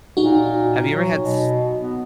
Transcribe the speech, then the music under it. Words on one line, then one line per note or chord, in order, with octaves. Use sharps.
Have you ever had s
A#2 D#4 F#4
F#3
B2
B3